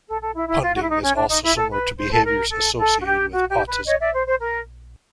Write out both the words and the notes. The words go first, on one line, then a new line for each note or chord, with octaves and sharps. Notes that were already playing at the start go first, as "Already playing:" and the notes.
Punding is also similar to behaviors associated with autism.
A4
A4
E4
E4
F4
F#4
E4
D#4
C#4
D4
D#4
E4
A4
B4
C5
A4
A#4
A4
A4
F#4
G4
F#4
G4
B4
C#5 D#5
D5 E5
C5
C5
A#4